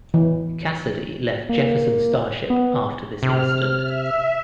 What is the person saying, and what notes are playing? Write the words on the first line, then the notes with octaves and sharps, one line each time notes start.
Casady left Jefferson Starship after this incident.
E3
A#3
B3
C3 F6
E5